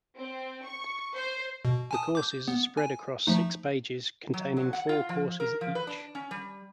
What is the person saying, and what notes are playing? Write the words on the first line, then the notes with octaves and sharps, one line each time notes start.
The courses are spread across six pages, containing four courses each.
C4
C#6
C5
B2
G#5 A5 D#6
D6 G6
B3
G#5
F3 A3 D#4
F#3
F#3
F#5
F4
F3
A#4
F3
B4
D4
C#4
G3